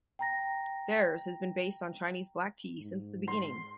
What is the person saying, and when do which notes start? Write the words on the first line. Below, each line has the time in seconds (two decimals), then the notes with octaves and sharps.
Theirs has been based on Chinese black tea since the beginning.
0.19 G5 A#5 A#6
2.80 G#2
3.28 C6